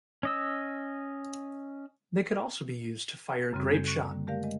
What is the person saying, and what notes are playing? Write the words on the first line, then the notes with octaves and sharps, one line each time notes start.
They could also be used to fire grapeshot.
C#4 D#5 E6
F#2 C#3 G3 C4 F#4
A4 G#5 G6 G#6
C#6 F#6
D3 G3 A#3
G#3 A3 G4 A#4 D5 F5
G#3 D#5